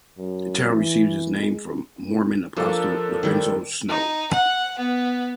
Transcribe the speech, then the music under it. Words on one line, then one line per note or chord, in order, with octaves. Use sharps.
The town received its name from Mormon apostle Lorenzo Snow.
F#2
E3
G#3
F3 A#3 D4 A4
D#3 G3
D#4
F#5
B3